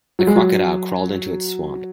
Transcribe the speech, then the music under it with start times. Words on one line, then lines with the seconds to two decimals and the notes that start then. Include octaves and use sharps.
The Crocodile crawled into its swamp.
0.19 F#3
0.27 G#3
0.36 F#3